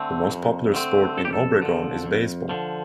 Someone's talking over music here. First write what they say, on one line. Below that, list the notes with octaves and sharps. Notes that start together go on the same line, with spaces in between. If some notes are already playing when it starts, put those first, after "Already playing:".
The most popular sport in Obregon is baseball.
Already playing: D3 A3 C4
F2
D3 A3 C4
F2 A4
G4
A4
D3 F3
F2
D3 F3